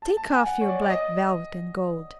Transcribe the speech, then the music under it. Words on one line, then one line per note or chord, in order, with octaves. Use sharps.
Take off your black velvet and gold!
A5
A5
G#5
F#5
C#5
D5
D5
D#5